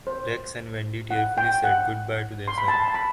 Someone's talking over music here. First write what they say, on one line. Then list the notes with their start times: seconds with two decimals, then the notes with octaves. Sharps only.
Rex and Wendi tearfully said goodbye to their son.
0.07 C5
1.11 F#5
1.38 G5
1.64 F#5
2.48 C6
2.58 B5
2.68 A5
2.88 A5
2.94 B5